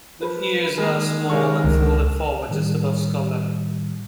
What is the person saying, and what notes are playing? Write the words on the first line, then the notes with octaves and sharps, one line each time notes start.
The ears are small and folded forward just above skull level.
F3 B4
D#3 G#3 A#3
C3 G#3 A#4 C#6
C#2
A2 D#3 G3